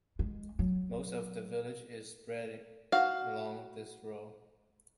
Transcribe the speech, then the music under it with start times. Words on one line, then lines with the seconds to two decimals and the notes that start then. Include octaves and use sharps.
Most of the village is spread along this road.
0.19 G#3
0.59 F#3
2.92 F#4 F5